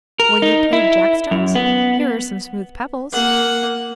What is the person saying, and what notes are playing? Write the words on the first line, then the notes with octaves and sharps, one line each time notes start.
"Will you play jack-stones? here are some smooth pebbles."
A#4
D#4
E4
F#2
B3
A#3 F#5